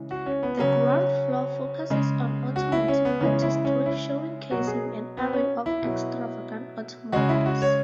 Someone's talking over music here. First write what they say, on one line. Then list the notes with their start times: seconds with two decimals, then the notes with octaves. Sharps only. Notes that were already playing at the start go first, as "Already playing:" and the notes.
The ground floor focuses on automotive artistry, showcasing an array of extravagant automobiles.
Already playing: C#3 E3 G#3
0.11 F#4
0.26 C#4
0.43 B3
0.59 C#3 F#3 C#4
1.90 C#3 G#3
2.56 F#4
2.72 E4
2.88 C#4
3.05 B3
3.20 C#3 E3 G#3 C#4
3.42 E4
3.65 C#4
3.86 E4
4.51 B2 F#3 F#4
4.67 G#4
5.17 B3
5.33 C#4
5.66 E4
5.82 B2 F#3
7.12 C#3 G#3 F#4
7.29 E4
7.46 F#4
7.62 C#5